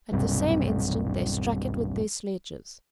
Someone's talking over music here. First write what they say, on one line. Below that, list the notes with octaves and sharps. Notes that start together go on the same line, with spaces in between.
At the same instant they struck it with their sledges.
D#1 B1 G2 C3